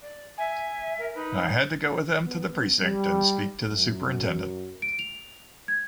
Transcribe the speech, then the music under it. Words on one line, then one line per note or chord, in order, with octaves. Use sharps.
I had to go with them to the precinct and speak to the superintendent.
D5
E5 G#5
A#4
D#4 B4
B3
G3
F#2
D7
F7
G#6